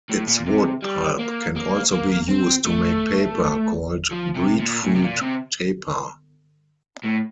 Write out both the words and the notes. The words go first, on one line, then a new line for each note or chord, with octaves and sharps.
Its wood pulp can also be used to make paper, called breadfruit "tapa".
A2
A#2
C3
G3
A#3
A#3
A#3
C4
A3
F3
C3
A#2
A2
C3
A#2
C3
A2